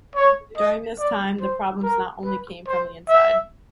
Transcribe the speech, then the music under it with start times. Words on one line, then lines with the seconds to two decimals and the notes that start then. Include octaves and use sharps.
During this time, the problems not only came from the inside.
0.16 C#5
0.57 D#5
0.99 D5
1.41 C5
1.83 A#4
2.25 B4
2.67 C5
3.08 E5